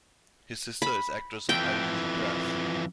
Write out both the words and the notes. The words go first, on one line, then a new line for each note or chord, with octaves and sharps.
His sister is actress Ilene Graff.
B5
F2 E3 G5